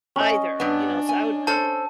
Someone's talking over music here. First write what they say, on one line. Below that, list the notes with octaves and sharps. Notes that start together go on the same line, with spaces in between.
either, you know, so I would probably
C#4 D#5
G2 B3 D4
G#5
A4 C5 A5